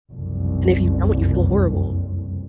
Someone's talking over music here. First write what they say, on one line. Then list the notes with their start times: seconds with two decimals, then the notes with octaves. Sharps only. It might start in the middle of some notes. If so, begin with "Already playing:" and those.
And if you don't, you feel horrible.
0.10 F#1 C2 F2